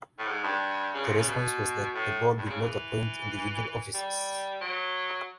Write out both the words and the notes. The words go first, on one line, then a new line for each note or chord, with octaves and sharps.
The response was that the Board did not appoint individual officers.
A2
G#2
G2
C#3
C3
C#3
B2
A2
G2
C3
C#3
E3
G3
F#3